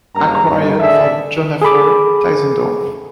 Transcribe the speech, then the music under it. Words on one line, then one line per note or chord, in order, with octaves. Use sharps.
Acquired from Jonapher Deisendorf.
F#1 G2 C#3 A#3 A#4 A#5
G2 D#3
A1 D3 G#4 A4 D5 E5
G#4 A4 B5 D6